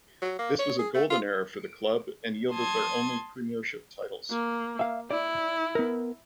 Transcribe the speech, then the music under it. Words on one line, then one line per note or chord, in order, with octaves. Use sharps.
This was a golden era for the club and yielded their only premiership titles.
F#3
A#3
C#5
G#4
A3
F4
A5 C6 D#6 G#6
A#3
E5 F5
E4 D5
B3 A#4